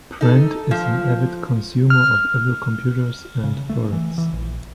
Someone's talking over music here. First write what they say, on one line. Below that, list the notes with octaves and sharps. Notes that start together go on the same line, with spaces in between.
Brent is an avid consumer of Apple computers and products.
D#4 A4
F3
F6
C#3
A3
E3
E3
A#1